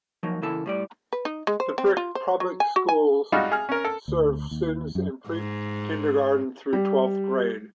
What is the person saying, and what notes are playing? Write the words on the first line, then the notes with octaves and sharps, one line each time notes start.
The Brick Public Schools serve students in pre-Kindergarten through twelfth grade.
F3 F#3 A#3 D#4
C#3 E3 A#3 E4 A4
A2 G3 D5
B4
D#4
G#3
C5
C4
F4
C5
F#3
G#5
F#4
G#5
G3 G#3 D#4 F4 F#4
G#4 F6
C#4 A#4
A4
D2
D#2
F#2
G#2
G3